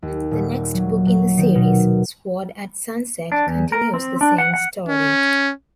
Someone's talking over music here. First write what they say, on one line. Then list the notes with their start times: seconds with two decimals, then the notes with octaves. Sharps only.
The next book in the series, "Sword at Sunset", continues the same story.
0.02 D#2
0.31 D#1
0.74 F#3
1.07 F#3
1.38 D#3
1.55 B2
3.32 D4
3.47 E2
3.72 A#4
3.94 C4
4.21 D4
4.38 F#5
4.54 F#5
4.89 C#4